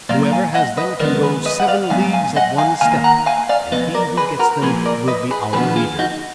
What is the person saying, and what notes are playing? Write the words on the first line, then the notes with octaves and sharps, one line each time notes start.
Whoever has them can go seven leagues at one step; and he who gets them will be our leader.
A#2 F#3 A#3 D5 F5
F5 G#5
D#5 F#5
B4 D#5
F#2 D#3 G#3 B3 A#4 D5
G#4 B4
B4 D#5
F#5
D5 F5
G#2 F#3 B3 F5 G#5
F5 G#5
D#5 F#5
F5 G#5
D#2 D#3 A#3 F5 G#5
F#5 A#5
F5 G#5
D5 F5
F2 F3 B3 B4 D#5
A#4 D5
G#4 B4
F#4 A#4
A#2 F3 A#3 G#4 B4
A#4 D5
B4 D#5
G#4 B4
D#2 D3 F3 B3 G#4 B4
F4 G#4
D#4 F#4